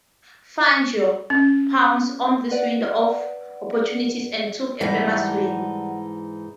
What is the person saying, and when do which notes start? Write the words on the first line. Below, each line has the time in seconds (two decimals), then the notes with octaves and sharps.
Fangio pounced on this window of opportunity and took a famous win.
1.30 C#4
2.51 B4 D5 F#5
4.81 G#2 E3 G3 D#4 F#5 A5